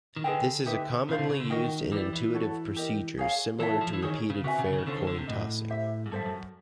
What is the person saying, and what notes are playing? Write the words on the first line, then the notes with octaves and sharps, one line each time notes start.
This is a commonly used and intuitive procedure, similar to repeated fair coin-tossing.
D#3
D3 G#4 B4 D#5 G5
D#4 G4 B4 E5
C#3 E4 A4 C5 F5
C3
C#3
D3
D#3 F#4 A#4 D#5 G5
E3 G4 B4 D5
E3
F#4 A4 C#5
G4 A#4 D#5
G#4 C#5 F5 A#5
E3 A4 C#5 E5 A5
F3
E3
D#3 D#4 G#4 C#5
C#3
C3 F#4 B4 E5 G#5
C#3
C#3
D#3
D3 C#4 F4 A4 C5
D#3
D3
C3
A2 D4 F#4 B4 D#5
G4 C5 E5
G#2
G2 A4 C5 E5
F2
F#2